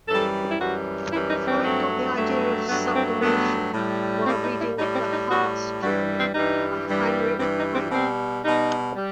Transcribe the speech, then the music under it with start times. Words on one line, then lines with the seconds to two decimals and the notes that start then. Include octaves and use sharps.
Freud got the idea of sublimation while reading "The Harz Journey" by Heinrich Heine.
0.08 F#2 E3 G3 A4
0.50 E4
0.60 F#2 E3 G3 F#4
1.13 F#2 E3 G3 E4
1.30 D#4
1.48 C4
1.64 G2 F#3 A3
2.16 G2 F#3 A3
2.69 G2 F#3 A3 B3
2.96 C4
3.21 G2 F#3 A3 B3
3.74 A2 G3
4.26 A2 G3 C4
4.43 D#4
4.61 E4
4.78 A2 G3 D#4
4.95 C4
5.13 D#4
5.31 A2 G3 F#4
5.83 G2 E3 G3 F#4
6.18 C4
6.34 G2 E3 G3 D#4
6.87 G2 E3 G3
7.40 G2 E3 G3 C4
7.58 D#4
7.75 C4
7.92 B2 G3 C4
8.44 B2 G3 D#4
8.96 G3